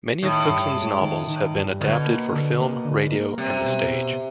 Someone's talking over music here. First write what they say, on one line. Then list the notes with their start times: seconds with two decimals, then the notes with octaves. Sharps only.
Many of Cookson's novels have been adapted for film, radio, and the stage.
0.23 A2 D#3
0.49 G2
0.75 G#3
1.01 D#3
1.27 D#3
1.54 G2
1.80 B2 D3
2.06 A#3
2.32 D3
2.59 A#3
2.85 D3
3.11 A#3
3.37 C3 G3
3.65 B2
3.90 B2